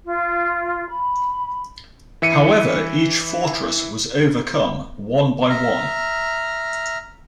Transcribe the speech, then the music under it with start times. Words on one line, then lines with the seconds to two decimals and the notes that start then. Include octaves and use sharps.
However, each fortress was overcome one by one.
0.06 F4
0.88 B5
2.22 E3 E5 C#7 D#7
5.49 E5 A#5 F6